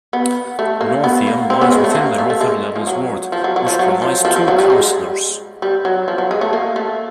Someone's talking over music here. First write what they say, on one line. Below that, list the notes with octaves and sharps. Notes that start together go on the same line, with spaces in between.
Northiam lies within the Rother Levels ward, which provides two councillors.
B3
A3
A#3
B3
A#3
C4
B3 C#4
G#3
A3
A#3
A3
A3
G#3
F3
F#3
F3
F#3
F#3
F3
F#3
F3
F3
F3
F#3
G3
G#3
G3
F#3
F3
F#3
G#3
A3
A#3
A3